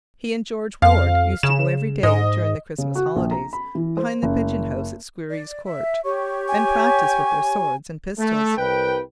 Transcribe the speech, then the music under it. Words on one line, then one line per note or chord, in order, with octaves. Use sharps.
He and George Warde used to go every day during the Christmas holidays behind the pigeon-house at Squerryes Court and practise with their swords and pistols.
F2 F5
C#3 E7
G#2 D#5
C#3
F#4
A#1
A#5
B5
E3
C5
F#1
D5
E5
G4 C#5 C#6
G#5
A3
C2 B4 G5